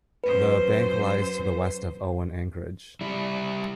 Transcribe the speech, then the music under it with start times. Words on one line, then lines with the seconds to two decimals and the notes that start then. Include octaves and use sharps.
The bank lies to the west of Owen Anchorage.
0.24 F#2 B4 C5
3.01 G3 E4